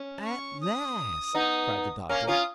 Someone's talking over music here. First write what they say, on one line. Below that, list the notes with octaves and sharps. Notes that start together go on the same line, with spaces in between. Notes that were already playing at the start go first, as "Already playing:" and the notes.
"At last!" cried the Doctor.
Already playing: C#4
C#6
D#6
B3 D#4
A#3 C#4 F6
C#4 F4 D#6